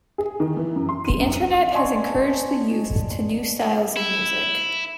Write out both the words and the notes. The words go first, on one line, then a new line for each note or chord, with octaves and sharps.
The internet has encouraged the youth to new styles of music.
G#4
D#3
E3
F#2
C6
D#7
F#2
D#7
D5 D#5 G#5 A5 C6 C#6
E4